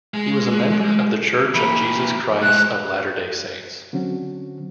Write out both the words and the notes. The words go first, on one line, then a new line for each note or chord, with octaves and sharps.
He was a member of the Church of Jesus Christ of Latter-day Saints.
G#3
E3 A#3 B5
G#3 E4 F#6
D3 F#3 C4 C#4 F#4